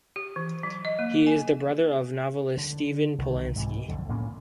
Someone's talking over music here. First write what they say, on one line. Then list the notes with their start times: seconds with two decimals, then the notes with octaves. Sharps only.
He is the brother of novelist Steven Polansky.
0.16 G4
0.36 E3
0.63 F#3
0.85 D#5
0.99 A#3
1.27 G#5
2.57 D3
3.18 C2 D#3
3.56 G#2 C3 E3
3.89 B1 F2 D3
4.09 A2 A#3 B3 C#4